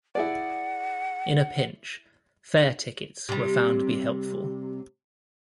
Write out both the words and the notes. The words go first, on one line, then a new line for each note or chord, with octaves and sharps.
In a pinch, "fare tickets" were found to be helpful.
E4 G#4 D5 F#5
C3 G3